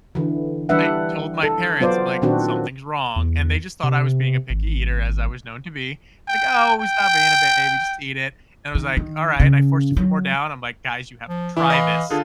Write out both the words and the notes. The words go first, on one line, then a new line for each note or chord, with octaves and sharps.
I told my parents, I'm like, "Something's wrong," and they just thought I was being a picky eater as I was known to be, like, "Oh, stop being a baby, just eat it," and I was like, "Alright," and I forced a few more down, I'm like, "Guys, you have to try this,"
D3 E3
E3 G3 D4 B4 E5 F#5
A4
F#3 B3 F4 C5 D5
A#2 D#3 C4 D4 F#4
E2
C3
G#1
G5
G5
D#3
D#3
C#3
F#3
F3
E3 E4
D#5 F5 B5
D3 F4 G#4 A4